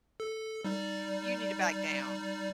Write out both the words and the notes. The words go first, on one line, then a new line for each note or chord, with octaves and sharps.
you need to back down
A4
G3 D#4 D5